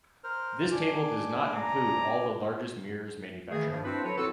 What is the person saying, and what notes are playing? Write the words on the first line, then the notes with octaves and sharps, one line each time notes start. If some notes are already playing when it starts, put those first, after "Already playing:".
This table does not include all the largest mirrors manufactured.
A#4 C5 F6
D4 G#5 D6
A#5
D#3 E3 A3 A#3 G#4
G2 F3
C4 D4 E4 F#4 B4 C5
F#3 A4 B4 C#5
C4 E4 F#4 A4